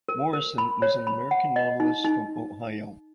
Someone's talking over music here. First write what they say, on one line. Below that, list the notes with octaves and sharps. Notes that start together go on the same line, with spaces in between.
Morrison was an American novelist from Ohio.
A#4
A#4
B5
C#5
B5
F#5
D#5
D#4
D#4